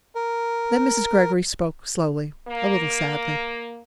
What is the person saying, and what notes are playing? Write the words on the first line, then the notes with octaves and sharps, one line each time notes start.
Then Mrs. Greggory spoke slowly, a little sadly.
A#4
A#3